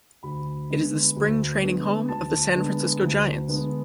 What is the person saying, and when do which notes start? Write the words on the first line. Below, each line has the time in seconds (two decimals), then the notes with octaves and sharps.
It is the spring training home of the San Francisco Giants.
0.23 D2 B5
0.70 D3 G#3 B3 D4
1.16 D2
1.62 D3 G#3 B3 D4
2.09 D2 A5
2.55 D3 G#3 B3 D4
3.01 D2
3.47 D3 G#3 B3 D4